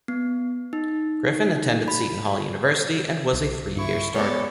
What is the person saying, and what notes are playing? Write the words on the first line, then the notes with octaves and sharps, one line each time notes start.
Griffin attended Seton Hall University and was a three-year starter.
B3
D#4
B5
B1
G2 E4 C#6
G#3 B3 G4 A4 C#5 D5